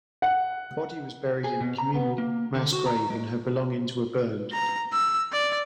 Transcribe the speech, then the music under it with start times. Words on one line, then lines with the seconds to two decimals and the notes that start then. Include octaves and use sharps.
Her body was buried in a communal, mass grave and her belongings were burned.
0.22 F#5
1.44 G#4
1.60 B2
1.78 A#5
1.94 B3
2.18 A#3
2.55 D3
2.73 F#4
2.86 A#5
3.10 G#3
4.53 A#5
4.93 E6
5.32 D5